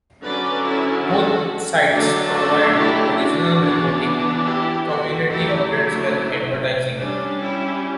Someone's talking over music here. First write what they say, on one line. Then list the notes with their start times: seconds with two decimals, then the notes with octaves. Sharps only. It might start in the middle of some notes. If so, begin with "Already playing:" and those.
Both sites provide original reporting, community updates and advertising.
0.22 D3 F#3 C#4 B4 D5
0.65 E4
1.07 F#4 A4
1.91 D3 F#3 A3 D4
2.33 F#4 A4
2.75 E4 G4
3.17 D4 F#4
3.60 E3 B3 D4
4.44 E4 G4
4.87 F#4 A4
5.28 D3 F#3 A3 E4 G4
5.71 E4
6.97 G3 C#4 D4
7.40 E4